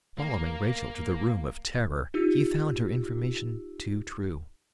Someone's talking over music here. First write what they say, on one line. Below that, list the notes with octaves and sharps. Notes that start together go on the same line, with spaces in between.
Following Rachel to the room of terror he found her information too true.
A#3
D#4 F4 G4 E6